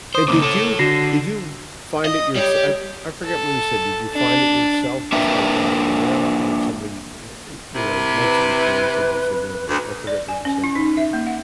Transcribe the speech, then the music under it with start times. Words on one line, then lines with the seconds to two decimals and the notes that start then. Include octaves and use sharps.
And did you did you find it yourse I I forget when you said, did you find it yourself just by driving around or somebody eh eh, you know, mentioned it to you and said you should go there, I forgot what you said about that.
0.15 C5 D#6
0.28 C#3 A#3 D6
0.42 A4 C#5
0.79 D3 F#4 A#6 C7
2.05 D#5 D#6
2.35 G3 G4 C#5
3.24 A4
4.14 D4
5.12 A#3 D4 A#4 B4 E5 G5
7.75 C3 E4 A#4
8.22 B4
9.68 D2
10.07 D5
10.29 G#5
10.45 C#4
10.64 E4
10.75 D#4
10.97 E5
11.13 A#3
11.27 F#5